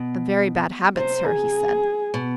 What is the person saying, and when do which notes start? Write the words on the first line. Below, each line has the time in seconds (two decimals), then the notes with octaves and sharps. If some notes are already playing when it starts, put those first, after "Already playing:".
"A very bad habit, sir," he said.
Already playing: B2
0.97 C3 C5
1.26 G#4
2.14 B2